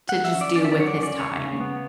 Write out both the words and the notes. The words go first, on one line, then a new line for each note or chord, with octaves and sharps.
to just do with his time.
F#5
F#3
E5
C#4
D5
C#4 D5
E5
D5
F#3 C#5
D5
C#4
D5
C#3 C#5
C#3
B3